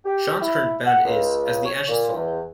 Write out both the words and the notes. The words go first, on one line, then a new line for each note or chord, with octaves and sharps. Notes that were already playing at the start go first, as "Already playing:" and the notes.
Sean's current band is "As The Ashes Fall".
G4
E4
F#5
C#2
C#5
A#2
E2